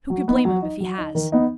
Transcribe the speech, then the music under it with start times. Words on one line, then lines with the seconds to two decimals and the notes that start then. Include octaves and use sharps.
Who could blame him if he has?
0.10 F#3
0.28 B3 D#4
0.45 F#3
0.62 D#4
0.80 F#3
0.98 D#4
1.15 D#3
1.32 B3 D#4